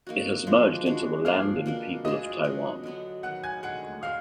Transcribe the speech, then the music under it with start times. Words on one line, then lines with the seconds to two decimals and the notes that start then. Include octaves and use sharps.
It has merged into the land and people of Taiwan.
0.07 A#3 D#4 F#4
0.47 F3 G#3 D4 F#4
0.86 G#3 D4 F#4
1.25 F3 A#3 D4 G#4 F5 F6
1.66 B2 A#3 D4
2.05 B3 F4 G#4 D5 D#5 D#6
2.44 B2 F#3 D4 F#4
2.83 D3 F#3 B3 D4
3.23 D#3 F#3 B3 F#5 F#6
3.43 G#5 G#6
3.63 D3 G#3 D#4 F#4 F#5 F#6
4.03 G#3 D4 F#4 F5 F6